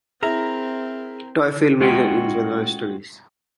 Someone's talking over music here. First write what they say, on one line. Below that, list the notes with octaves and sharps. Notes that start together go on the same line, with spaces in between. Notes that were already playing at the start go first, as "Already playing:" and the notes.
Toefield majored in general studies.
C4 E4 G#4 A#4 A#5
G#3 C#4 F4 F#4 D#5 G5